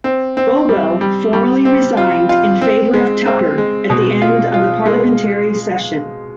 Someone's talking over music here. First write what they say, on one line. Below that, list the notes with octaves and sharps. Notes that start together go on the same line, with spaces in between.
Bowell formally resigned in favour of Tupper at the end of the parliamentary session.
C4
C4
G3
G3
G3
C4
F4
F4
C4
G#3
C4
G#3
B2
F4
F4
G#3